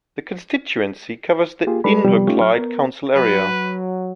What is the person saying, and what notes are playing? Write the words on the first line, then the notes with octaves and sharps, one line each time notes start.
The constituency covers the Inverclyde council area.
A#3 F4 G4 G#4
G3 G#3 A4 B4 D5 B5
C3 F3 G3 B3
A3 C#4 D#4 F4 G4 C#5
F#3 F6
B3 A#4
F#3 B4